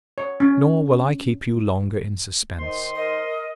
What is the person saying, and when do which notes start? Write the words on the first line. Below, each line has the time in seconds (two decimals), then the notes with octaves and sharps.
Nor will I keep you longer in suspense.
0.18 C#5
0.40 C#4
2.59 D#3 D#4 C5 C6
2.95 A#4 D#5